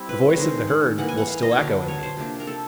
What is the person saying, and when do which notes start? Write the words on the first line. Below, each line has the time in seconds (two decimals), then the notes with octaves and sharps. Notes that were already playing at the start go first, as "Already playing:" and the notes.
The voice of the herd will still echo in thee.
Already playing: G3 C4 E4
0.09 B4
0.30 C#5
0.38 D#3 G#3 C4 D#4 C5
0.68 F#5
0.98 E3 G3 A#3 F#5
1.08 G#5
1.17 F#5
1.27 F5
1.43 D#5
1.52 C#5
1.57 D3 F#3 B3 D4 D5
1.88 C#5
2.03 C5
2.17 C3 F3 A#3 D4
2.40 A#4
2.47 A4